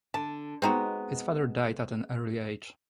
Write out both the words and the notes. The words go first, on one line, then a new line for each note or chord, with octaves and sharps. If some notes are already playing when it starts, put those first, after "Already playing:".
His father died at an early age.
D3 A5
G#3 B3 C4 D#4 F#4